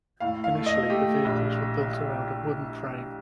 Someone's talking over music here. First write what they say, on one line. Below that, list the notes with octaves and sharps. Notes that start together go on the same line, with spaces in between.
Initially the vehicles were built around a wooden frame.
A2 F5
F5
A3
D#5
A3 G4
A#1